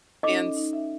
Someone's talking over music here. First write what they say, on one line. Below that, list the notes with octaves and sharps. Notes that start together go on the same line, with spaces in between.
and s
C#4 D#4 A4 D#5 D6
D#4
E5